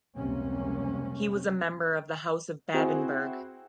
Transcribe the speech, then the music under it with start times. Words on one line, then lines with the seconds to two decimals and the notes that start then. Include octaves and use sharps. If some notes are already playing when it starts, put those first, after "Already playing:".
He was a member of the House of Babenberg.
0.16 F1 C#2 C3 G3 A#3 C#4
2.74 C4 E4 F#4 G#4 C5